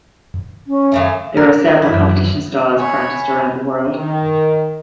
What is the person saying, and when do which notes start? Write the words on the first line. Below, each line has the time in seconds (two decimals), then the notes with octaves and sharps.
There are several competition styles practised around the world.
0.67 C#4
0.92 F#2 C#3 A3
1.37 A#4
1.82 F#2 E3 E4 E5
2.78 C#5 G#5 B5
3.93 D#3